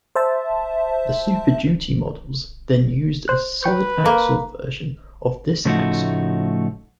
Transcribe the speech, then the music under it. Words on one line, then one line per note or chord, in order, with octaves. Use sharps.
The Super Duty models then used a solid axle version of this axle.
C5 E5 A5
C5 F#6
B4 G5 C#6 G6
A#3
A2 C#3 F3 A3 D#4 F#4